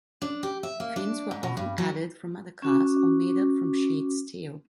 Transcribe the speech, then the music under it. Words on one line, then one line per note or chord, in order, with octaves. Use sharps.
Fins were often added from other cars, or made up from sheet steel.
D4
G4
E5
A#3
D4
G#2
B2
G2
F#3
C#4 F#4 D6